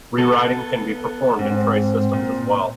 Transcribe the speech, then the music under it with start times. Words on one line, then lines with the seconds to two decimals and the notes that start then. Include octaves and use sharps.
Rewriting can be performed in trace systems as well.
0.18 B3 A4
1.39 G#2 C4 C5
2.13 A#2